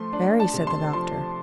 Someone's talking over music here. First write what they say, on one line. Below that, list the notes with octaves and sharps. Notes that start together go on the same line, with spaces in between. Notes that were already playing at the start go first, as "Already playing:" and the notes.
"Very," said the doctor.
Already playing: F3 A3 C6
D4
A5
C3
C6
F3 C6